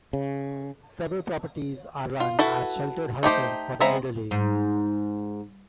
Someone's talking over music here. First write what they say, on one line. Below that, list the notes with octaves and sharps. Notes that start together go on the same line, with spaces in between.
Several properties are run as sheltered housing for the elderly.
C#3
F4
E4 F#4 A4 B4
A3 D#4 G4 C5
G#3 B3 C4 E5 A#5
G#2